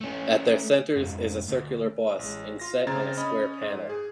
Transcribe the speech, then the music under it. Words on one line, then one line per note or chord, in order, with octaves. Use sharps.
At their centers is a circular boss inset on a square panel.
A3 C#4
F2 G#2
D2
A1 G#3
F4 A#6
C#3 C4 A#5 G#6 A6
C#4 D#5 B5
G#2
G#4